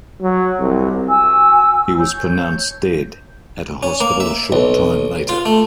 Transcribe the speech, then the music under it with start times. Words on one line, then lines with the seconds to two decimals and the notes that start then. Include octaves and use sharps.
He was pronounced dead at a hospital a short time later.
0.22 F#3
0.59 C2
1.07 F#4 G#5 E6
1.98 C#5 G6
3.83 C#4
4.00 A#3
4.20 E5
4.52 B1
5.29 F4
5.46 A3